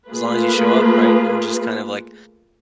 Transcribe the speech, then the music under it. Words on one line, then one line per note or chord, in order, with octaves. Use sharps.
As long as you show up, right, and just kind of, like,
A3 A#3 F4 G#4 B4